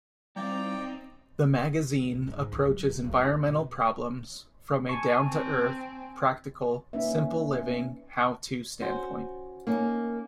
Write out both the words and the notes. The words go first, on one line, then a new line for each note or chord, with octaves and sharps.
The magazine approaches environmental problems from a down-to-earth, practical, simple living, how-to standpoint.
G3 C4 D#4 E4 D5 F5 G5 A#5
C#2
A#2
G#2
C#2
F#3
C#2
D1
D#2
D#3
B2
G#5 A5 C#6
C4
A#3 C#4 D#4 B4 E5
C#4 F#4 C5
A#3 C#4 D#4